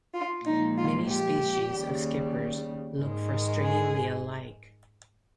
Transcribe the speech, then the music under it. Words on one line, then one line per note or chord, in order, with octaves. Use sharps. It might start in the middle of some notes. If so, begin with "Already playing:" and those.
Many species of skippers look frustratingly alike.
F4
A#2 F3 G#3 D#4
F4
G4
D#2 C#3 G3
G#2 D#3 G#3
G#4